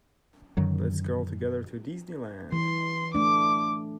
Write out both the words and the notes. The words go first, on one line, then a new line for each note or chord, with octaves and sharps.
Let's go altogether to Disney Land.
F#2 D3 D#3 F#3
E3 C6
A3 D4 D6